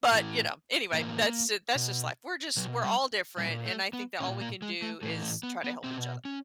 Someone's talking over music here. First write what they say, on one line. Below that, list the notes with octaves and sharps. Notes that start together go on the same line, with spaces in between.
But, you know, anyway, that's ju that's just life. We're just we're all different, and I think that all we can do is try to help each other.
A2 E3
A2 E3 A#3
B2
B2 F#3
G3
A#2 G3
A3
B3
A#2 C#4
A#3
G#3
A3
A2 E3 A3
A3
B3
B3
B2 C4
C#4